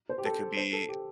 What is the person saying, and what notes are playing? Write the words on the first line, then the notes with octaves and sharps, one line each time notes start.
It could be
C5
G4
A4
C5
A4
G4